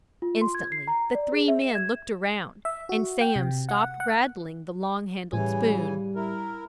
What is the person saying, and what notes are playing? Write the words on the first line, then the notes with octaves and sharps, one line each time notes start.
Instantly the three men looked around, and Sam stopped rattling the long-handled spoon.
F4
C6
G#6
C7
A#5
D5
G#4
E5
E7
G#6
E5
F#4
G5
C3
F#5
F#5
A2 C#3 E3 G3 G#5
E4 A#4